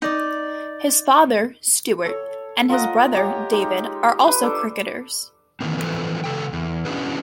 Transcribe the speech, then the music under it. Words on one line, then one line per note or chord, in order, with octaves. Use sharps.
His father, Stuart, and his brother, David, are also cricketers.
D#4 D5
A4 C#5
F4 A#4 D#5 F#5
G4 C#5 A#5
G#3 D#4 G4
B4 C6
D4 A4 D6
D#3 E3 A#3 C4
E3 F3 C4 A4 B4
C#3 A4 G5
E2
C#4 D4 E4 F#4 G#4 B4